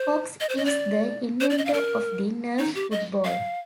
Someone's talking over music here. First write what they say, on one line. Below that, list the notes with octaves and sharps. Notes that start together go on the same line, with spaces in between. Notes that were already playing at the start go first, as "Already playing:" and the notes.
Cox is the inventor of the Nerf football.
Already playing: C5
D#5
C5
D#5
D5
C5
D5
D#5
F5
A#4
D#4
G4
D#5
F5